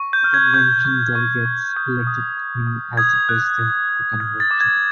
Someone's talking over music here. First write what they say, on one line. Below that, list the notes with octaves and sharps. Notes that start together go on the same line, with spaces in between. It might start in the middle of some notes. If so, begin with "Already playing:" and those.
The convention delegates elected him as the President of the Convention.
Already playing: C#6
G6
F6
G#6
C#6 G6
C#6
C#6
C#6
D#6 G6
D#6
D#6
D#6
D#6 G#6
F#6
F#6
F#6
F6 G#6
A6
D6
G#6